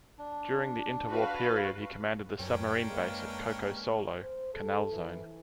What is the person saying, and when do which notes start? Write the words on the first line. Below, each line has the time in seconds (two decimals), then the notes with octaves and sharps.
During the inter-war period, he commanded the Submarine Base at Coco Solo, Canal Zone.
0.18 D4
1.09 F#4 B4 F5
2.40 F#2 C#4 D4 A#4 G5
2.89 G#3 A#3 B4
4.22 C5
4.54 A4
4.92 E3